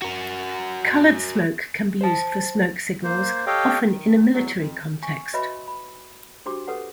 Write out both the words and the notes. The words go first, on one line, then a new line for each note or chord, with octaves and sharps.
Colored smoke can be used for smoke signals, often in a military context.
F#4 A#4
C5 A5
A#3 C5
G4 A4 C#5 D#5 F5 G5
D#3
E2 F#3
F2
G#5 C#6
F#4 B4 C#5 D#5 E5 B5
B5
D4 F#4 G4 C5 C6 D6
G4 A4 B4 C#5 F#5